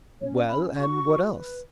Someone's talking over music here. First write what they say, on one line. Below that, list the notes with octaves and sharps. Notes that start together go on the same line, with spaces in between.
"Well--and what else?"
C#4 C#5
D5
C#4 B5
F#4 C#6
F#4
B4